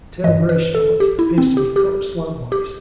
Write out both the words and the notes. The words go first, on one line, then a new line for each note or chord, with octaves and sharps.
Tail very short, appears to be cut slant-wise.
G2 E3 D#5
B4
A4
G4
E4
C4
G4
G4
G4